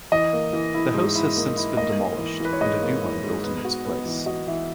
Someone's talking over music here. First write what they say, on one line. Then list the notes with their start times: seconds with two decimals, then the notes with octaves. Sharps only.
The house has since been demolished, and a new one built in its place.
0.12 E3 D#5
0.33 A#3
0.53 E3
0.74 E4
0.94 G#2
1.15 E4
1.36 A#3
1.57 E4
1.77 A#3 D#5
1.98 A#3
2.18 E3
2.40 E3 B4
2.53 C#5
2.61 G#2 D#5
2.81 A#3
3.02 E4
3.23 G#2
3.44 B3
3.64 F#4
3.85 B3
4.06 E3
4.26 F#4 D#5
4.47 E3 E5